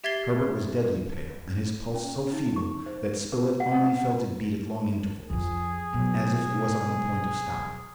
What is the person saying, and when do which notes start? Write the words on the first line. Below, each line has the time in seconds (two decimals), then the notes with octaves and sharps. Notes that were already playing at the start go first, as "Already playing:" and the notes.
Herbert was deadly pale, and his pulse so feeble that Spilett only felt it beat at long intervals, as if it was on the point of stopping.
0.04 G4 E5 G#6 A6 C7 G7
1.94 C#4
2.33 D#4
2.56 C#6
2.86 C5
3.32 B4
3.60 F#5
3.86 F#5
5.30 F2 F3 G#4
5.93 B2 F#3